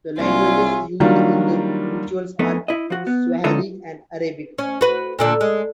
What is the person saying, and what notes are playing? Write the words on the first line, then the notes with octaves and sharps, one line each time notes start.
The languages used in these rituals are Swahili and Arabic.
C2 A#3 D4 F4 G4 C#5 E5 G#5
D#3 F#3 G3 A#3 D4 F4
F2 A3 B3 D#4
E4 D#5
F3 F#4
B3
D3 G#3 C#4 D#4 F4 A4
C#4
F#4 B4
A#2 D3 D4
G#3